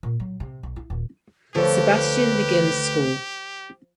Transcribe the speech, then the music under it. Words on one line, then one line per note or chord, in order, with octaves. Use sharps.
Sebastian begins school.
A#2
F#3
C3
B1
E4
D#1
D2 F3 G4 A4 B4 C#5